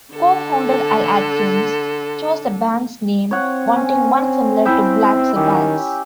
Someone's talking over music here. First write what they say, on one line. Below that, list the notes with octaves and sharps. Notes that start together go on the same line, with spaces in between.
Co-founder Al Atkins chose the band's name, wanting one similar to Black Sabbath's.
D3 A4
C4 C#5 F#5
C#4
E4 E5 G5
D#3 C#4 G4